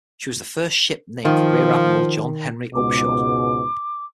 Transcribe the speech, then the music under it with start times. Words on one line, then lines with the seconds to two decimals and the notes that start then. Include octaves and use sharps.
She was the first ship named for Rear Admiral John Henry Upshur.
1.25 D#3 F3
2.74 C#2 G#2 B2 D6